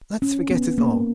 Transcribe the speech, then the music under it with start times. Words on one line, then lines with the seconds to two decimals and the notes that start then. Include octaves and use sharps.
Let's forget it all.
0.22 C#4
0.50 B3
0.78 A#3